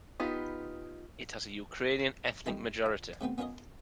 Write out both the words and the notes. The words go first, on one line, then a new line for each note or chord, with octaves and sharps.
It has a Ukrainian ethnic majority.
B3 D#4 F4 G4 B4
G3 C4 D#4 E4 A4
F4
C3 A3 B3 C4
B3 C#4 F4 A#4 C#5 D#5